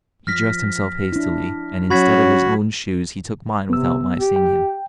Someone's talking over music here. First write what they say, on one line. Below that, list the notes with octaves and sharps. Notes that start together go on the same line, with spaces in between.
He dressed himself hastily, and instead of his own shoes he took mine without my seeing him.
F3 F6 A#6 B6
D4 E4
F#3 C#4 F#4 B5 G#6 B6
C3 B3 E6
G4
G5